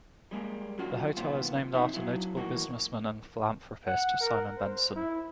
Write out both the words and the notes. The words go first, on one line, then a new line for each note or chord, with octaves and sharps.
The hotel is named after notable businessman and philanthropist Simon Benson.
G3 G#3 A#3
F#3 C#4 D4 F4 F#4
B1 A#2 D#3 B3 F4 C5
B1 E2 C4 D#4 E5
F#3 E4
D#2 A2 E3 A#3 F#4
F#5
A#4
C5
E4